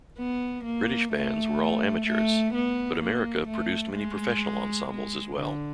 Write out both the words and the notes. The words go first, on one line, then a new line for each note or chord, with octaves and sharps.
British bands were all amateurs, but America produced many professional ensembles as well.
B3
A#3
A3
A3
B3
A#3
A3
G#3
G#3
D3